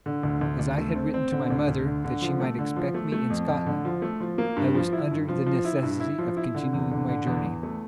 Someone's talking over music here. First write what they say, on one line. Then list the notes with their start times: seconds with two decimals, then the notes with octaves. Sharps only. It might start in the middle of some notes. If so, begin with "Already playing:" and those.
As I had written to my mother that she might expect me in Scotland, I was under the necessity of continuing my journey.
0.06 D3
0.23 D2
0.41 D2
0.59 D2
0.78 A3
0.95 C4
1.14 C4
1.32 D3
1.50 D2
1.68 D2
1.86 D3
2.04 D3
2.22 F3
2.40 A3
2.59 D3
2.76 F3
2.94 A3
3.12 A3
3.30 F2
3.48 F2
3.66 D3
3.85 F3
4.02 A3
4.21 F3
4.38 A#3
4.56 G2
4.75 F3
4.93 E4
5.11 G2
5.28 F3
5.46 F3
5.65 E4
5.82 G2
6.00 E4
6.19 F3
6.37 E4
6.55 D3
6.73 E2
6.91 D3
7.09 D3
7.27 E2
7.46 E2
7.63 A3